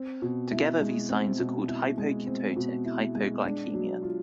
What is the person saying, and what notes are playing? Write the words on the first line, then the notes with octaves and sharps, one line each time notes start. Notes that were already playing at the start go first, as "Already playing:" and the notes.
Together these signs are called hypoketotic hypoglycemia.
Already playing: C4
B2
E4
G#3
C4
B2
E4
G#3
C4
B2
E4
G#3
D4
F#3
F4